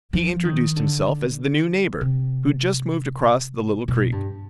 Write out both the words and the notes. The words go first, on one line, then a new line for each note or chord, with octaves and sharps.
He introduced himself as the new neighbor who just moved across the little creek.
F3
D#3
D3
C3
B2
G2